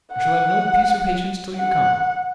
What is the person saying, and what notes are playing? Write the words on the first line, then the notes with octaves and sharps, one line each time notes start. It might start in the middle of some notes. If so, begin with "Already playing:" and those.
I shall have no peace or patience till you come.
F#5
F#5